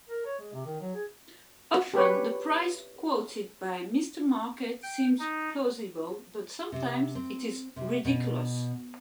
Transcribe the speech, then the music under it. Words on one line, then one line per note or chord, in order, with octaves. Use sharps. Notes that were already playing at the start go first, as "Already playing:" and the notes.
Often, the price quoted by Mr. Market seems plausible, but sometimes it is ridiculous.
A#4
C#5
G#3
C3
D#3
F#3
G#4
G4 B4 C#5
G5
D#4
C3
C4
C3
B2